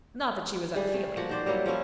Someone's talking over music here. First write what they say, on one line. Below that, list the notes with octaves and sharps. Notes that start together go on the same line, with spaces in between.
Not that she was unfeeling.
G3 G#4
A3
F3 A#3 F#4 F#5
D#3 C5 D5
F#3 G3 A#3 E4
F3 A#3 C#4 E4